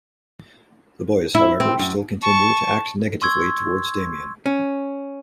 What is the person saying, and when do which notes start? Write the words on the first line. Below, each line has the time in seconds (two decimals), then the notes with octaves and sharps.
The boys, however, still continue to act negatively towards Damien.
1.35 E4
1.60 C4
1.79 F#2
2.23 A5 C#6
3.22 C6 C#6 E6 G#6
4.46 C#4